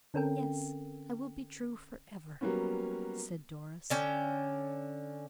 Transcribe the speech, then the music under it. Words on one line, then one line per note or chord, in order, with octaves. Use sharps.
"Yes; I will be true forever," said Doris.
D3 C4 C#4 A4 A#4 G5
F#3 G3 A#3 B3 C#4
D3 C#4 G5